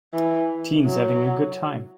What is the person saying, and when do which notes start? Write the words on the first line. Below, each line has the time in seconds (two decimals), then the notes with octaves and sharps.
Teens having a good time.
0.14 E3
0.86 F#3